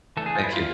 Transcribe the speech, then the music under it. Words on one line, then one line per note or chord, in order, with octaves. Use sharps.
Thank you.
E3 A3 D4 A4
G#4
F4
E4
F4